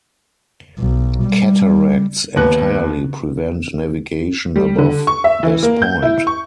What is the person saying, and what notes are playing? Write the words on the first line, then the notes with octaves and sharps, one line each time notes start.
Cataracts entirely prevent navigation above this point.
B1
G3
D#2 B3 F#6
G3
D3
C#6
E5
E3
A#3
G6
E4
C#6